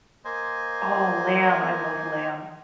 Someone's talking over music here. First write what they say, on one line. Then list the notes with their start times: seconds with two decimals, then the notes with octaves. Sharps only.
Oh, lamb. I love lamb.
0.25 A#3 C5 D#5 G#5